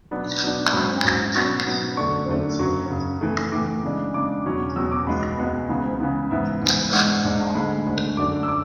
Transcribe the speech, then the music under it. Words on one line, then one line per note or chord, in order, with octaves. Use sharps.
The larger the initial dose of vitamin K-antagonist, the more pronounced these differences are.
B2 F#3 B3 D4
B2 F#3 B3 D4
G#2 F#3 C#4 B5
G#2 F#3 C#4
B2 F#3 B3 C#6
B2 F#3 B3
F#2 D3 A3 D4 C#6
F#2 D3 A3 D4
F#2 C#3 F#3 C#6
F#2 C#3 F#3
A2 E3 A3
A2 E3 A3 D6
C#3 G#3 D4
C#3 G#3 D4 D6
E2 B2 F#3 C#4
E2 B2 F#3 C#4 E6
D6
C#2 B2 G#3 B3 B5
C#2 B2 G#3 B3
C#2 C#3 E3 B3
C#2 C#3 E3 B3
G#2 E3 B3 E5
G#2 E3 B3
G#2 G#3 D4 F#5
G#2 G#3 D4
D2 D3 G#3 B5
D2 D3 G#3
F#2 D3 A3 D4 D6
E6
D4 D6